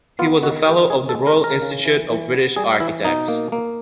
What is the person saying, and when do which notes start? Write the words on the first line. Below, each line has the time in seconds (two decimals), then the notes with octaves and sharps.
He was a fellow of the Royal Institute of British Architects.
0.19 B3 F4
0.43 D#3 F#4
0.66 G#3 G4
0.90 D#3 G#4
1.09 A4
1.15 G#3
1.27 A#4
1.38 D#3
1.44 A#4
1.62 C#3
1.86 E3
2.10 E3
2.34 B3
2.56 G3 G#4
2.80 E3 E4
3.05 B2 D#4
3.28 A#3
3.52 A#3